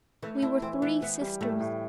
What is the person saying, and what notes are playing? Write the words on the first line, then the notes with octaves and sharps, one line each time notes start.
We were three sisters.
E3 A3
D4 E4
E3 C4
E3 B3
E3 B3
G3
A2 A3
A2